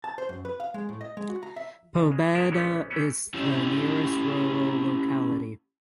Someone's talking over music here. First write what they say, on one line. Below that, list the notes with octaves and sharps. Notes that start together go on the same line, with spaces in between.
Pobeda is the nearest rural locality.
A5
C5
F#2
B4
F5
G#3
A2
D#5
G#3
F#4
A#5
E5
C#2 C#3
G#3
D#2 G#2 C3 G#3 A#4 E5
A#1 E3 G#3 A3 B3 C#4
E3 G#3 A3 B3 C#4
C#4 E4 G4 C#5